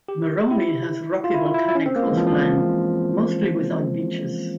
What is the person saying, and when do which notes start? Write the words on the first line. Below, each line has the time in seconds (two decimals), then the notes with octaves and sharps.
Moroni has a rocky volcanic coastline, mostly without beaches.
0.08 G4
0.51 E4
1.24 F4
1.34 E4
1.54 E4
1.68 E4
1.75 C#4
1.86 C4
1.96 A#3
2.07 G#3
2.12 E3
2.17 F3
2.27 F3